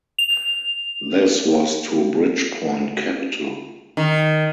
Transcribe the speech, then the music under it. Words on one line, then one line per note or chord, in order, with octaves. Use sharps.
This was to Bridgepoint Capital.
F7
D#3